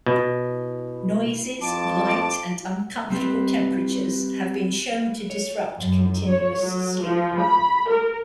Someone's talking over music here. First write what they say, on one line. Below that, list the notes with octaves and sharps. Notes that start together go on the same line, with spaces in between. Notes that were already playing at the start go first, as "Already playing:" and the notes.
Noises, light, and uncomfortable temperatures have been shown to disrupt continuous sleep.
B2
F2 A5 D6
G3 C4 G4 B4
C#5
F#2
C#5
F#3
F3
B5
A#4